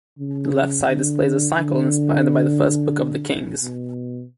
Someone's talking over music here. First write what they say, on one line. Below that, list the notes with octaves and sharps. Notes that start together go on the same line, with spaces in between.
The left side displays a cycle inspired by the first book of the Kings.
C#3
D3
D3
B2